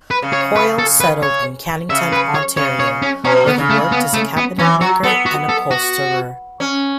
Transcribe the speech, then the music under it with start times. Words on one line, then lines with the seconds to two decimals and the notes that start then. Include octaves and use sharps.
Hoyle settled in Cannington, Ontario, where he worked as a cabinet maker and upholsterer.
0.11 B4
0.22 C#3
0.33 C#5
0.56 B4
0.79 A4
1.00 B4
1.23 C#5
1.90 C#3 E5
2.13 B4
2.35 C#5
2.57 C#3 C#5
2.80 C#5
3.02 C#4
3.25 B2 C#4
3.47 B3
3.58 C#3
3.70 A3
3.92 B3
4.14 A3
4.37 B3
4.59 E3 C#4
4.81 F#3 F#4
5.04 B3 A4
5.26 F#4
5.49 A4
5.71 F#4
6.60 C#4